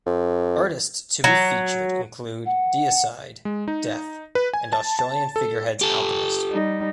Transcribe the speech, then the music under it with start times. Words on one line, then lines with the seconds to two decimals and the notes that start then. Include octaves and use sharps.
Artists to be featured included Deicide, Death and Australian figureheads Alchemist.
0.06 F2
1.24 F#3
2.45 F#5
3.45 G#3
3.68 D#4
4.35 B4
4.53 G#5
4.73 A5
4.99 A5
5.36 A4
5.81 G4 A4
6.50 G3 D#4